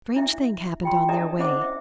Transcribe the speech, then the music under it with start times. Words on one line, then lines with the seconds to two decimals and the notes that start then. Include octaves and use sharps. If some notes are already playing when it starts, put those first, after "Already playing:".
A strange thing happened on their way.
0.15 D4 E4 E5
0.83 F4 G5 C6
1.08 D4 A4 D#5 E5 A5 A#5
1.39 C#4 E4 C5 D#5 F#5 D6
1.61 E5